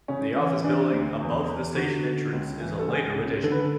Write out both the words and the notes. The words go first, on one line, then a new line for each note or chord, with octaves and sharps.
The office building above the station entrance is a later addition.
C#3 C#4
E3 C#4
E3 D4
D2
E2
E2
D3 F#4
D3
C#2
E3
A4
C#2 G#4
C#3
D3 A4
B4
A4